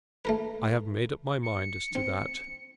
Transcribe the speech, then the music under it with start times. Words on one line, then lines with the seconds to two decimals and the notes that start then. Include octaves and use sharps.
I have made up my mind as to that.
0.25 A3 A#4 B4
1.43 C#7
1.95 C4